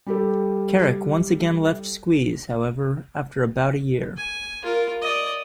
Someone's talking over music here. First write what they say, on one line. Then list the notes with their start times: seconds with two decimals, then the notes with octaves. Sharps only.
Carrack once again left Squeeze, however, after about a year.
0.06 G3 G4 A4
4.17 G#5
4.63 F4 A#4
5.02 D5 D#5